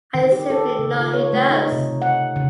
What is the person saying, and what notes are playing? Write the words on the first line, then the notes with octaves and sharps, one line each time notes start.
I simply know he does.
D#3
G4
A4
C#3
F4
C#5
A3
D#4
C3
F#5
C#3